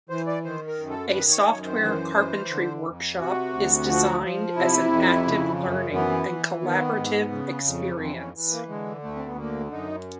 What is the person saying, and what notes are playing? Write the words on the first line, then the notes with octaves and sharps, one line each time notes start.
A Software Carpentry workshop is designed as an active learning and collaborative experience.
E3 C5
D5
D#3 C5
A#4
F#2
A4
D#3 B4
C#5
F#2 C#5
C5
E3
E3
D3
F2
C3 F#4
D2
F3
F3
C3 E4
F2
C#3
F#2
E3 B3
E3
D#3 B3
G#2
C#3
F2
E3 C4
C#4
E3
A#3
D3 G#3
D2 A3
C4
B3
D3 A#3
F#2 D#4